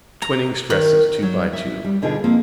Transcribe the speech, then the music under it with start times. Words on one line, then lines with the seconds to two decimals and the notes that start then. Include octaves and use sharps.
The twining stresses, two by two.
0.22 A#5
0.70 D#3
1.22 F#3
1.53 E5
1.84 G3
2.02 B2 D3 D#4 F4 G#4
2.24 F3 A#3 C4